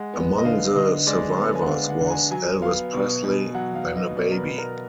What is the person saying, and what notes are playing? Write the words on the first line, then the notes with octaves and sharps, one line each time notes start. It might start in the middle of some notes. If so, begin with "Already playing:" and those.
Among the survivors was Elvis Presley, then a baby.
Already playing: G#3 F#5
B3
D#5
D3 F5
D3 D#5
G#3 D5
B3
G#5
F#5
D3 F5
F#5
D3 F#5
G#5
F#3 G#5
B3 F5
B2
B2
F#3 F#5
F5
B3
D#5
B2 D5
A#4
B4
B2
A#4